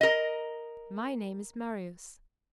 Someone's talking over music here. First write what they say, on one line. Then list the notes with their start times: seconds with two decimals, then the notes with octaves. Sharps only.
My name is Marius.
0.01 A#4 D#5